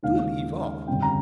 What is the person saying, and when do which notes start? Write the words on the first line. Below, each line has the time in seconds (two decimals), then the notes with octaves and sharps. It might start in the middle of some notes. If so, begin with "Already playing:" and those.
Do leave off!
0.03 D#2 C#3 G#3 F5
0.87 G1 F2 C#3 G3 G5
1.02 A#5